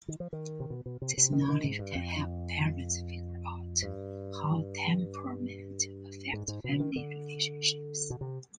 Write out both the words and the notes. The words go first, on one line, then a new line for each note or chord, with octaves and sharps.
This knowledge can help parents figure out how temperaments affect family relationships.
D#3
F3
D#3
C3
B2
B2
C3
C3
D#3
D#3
G#2
G2
F2
G2
G#2
G#2
B2
D#3
D3
B2
C3